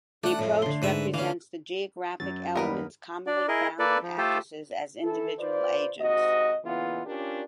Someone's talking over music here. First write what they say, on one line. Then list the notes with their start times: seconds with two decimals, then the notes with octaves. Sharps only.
The approach represents the geographic elements commonly found in addresses as individual agents.
0.24 A3 D4 F#5
0.39 F2 A2
0.62 D3 C6
0.82 G#2 B4 E5
1.14 E3 C#4 F5
2.20 F#2 F#3 A6
2.56 D#2 G3 B3 A#4 B4
3.27 D4 D5
3.48 E4 G#4 A#4 D#5
3.79 A#3 A4 B4 D5
4.03 F3
4.18 A3 F4 G4 A4 C5
5.02 E3 E4 A4
5.39 F4 B4 C5 D5
6.00 G#2 C3 F#4 D#5
6.64 A#2 C#3 E3 B3 E4 F4
7.06 C#4 D4 F4 G4 A#4